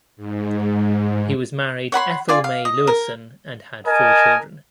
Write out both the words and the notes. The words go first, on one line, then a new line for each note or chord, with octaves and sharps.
He was married Ethel Mae Lewison and had four children.
G#2
C#5 F#5 B5 C6
F4 D5 G#5
F5
D#5
A#4
A#4 D#5 G#5 A5